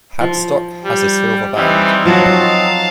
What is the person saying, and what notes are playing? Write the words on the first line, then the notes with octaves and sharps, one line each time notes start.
Hadstock has a silver band.
F3
G3
E3 G3 C4 D#4
F3 F#3 F#4 F5 A5